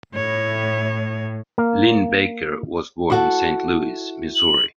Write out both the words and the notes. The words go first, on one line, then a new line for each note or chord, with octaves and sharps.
Linn-Baker was born in Saint Louis, Missouri.
A2 C#5
A#3 F5
E4 F#4 A4
F#7